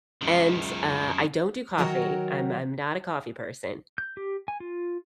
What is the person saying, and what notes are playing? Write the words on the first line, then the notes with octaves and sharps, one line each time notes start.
and, uh, I don't do coffee, I'm I'm not a coffee person,
C#2 F#2 D#3
D#3 F#3 F#4 A#4 C#5 G5
G6
G4
G#5
F4